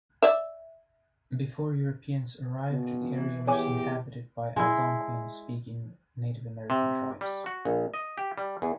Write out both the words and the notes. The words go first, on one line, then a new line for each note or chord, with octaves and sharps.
Before Europeans arrived, the area was inhabited by Algonquian-speaking Native American tribes.
D5 E5
B2
E3
E2 G4 C#5 G#5 D6
G#3 E4
C3
G3
F#4
A#1
D#5
G4
G3
E2